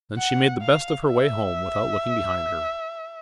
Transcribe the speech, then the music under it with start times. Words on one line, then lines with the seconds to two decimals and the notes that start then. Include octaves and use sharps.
Then she made the best of her way home without looking behind her.
0.18 F#5
0.62 F5
1.04 E5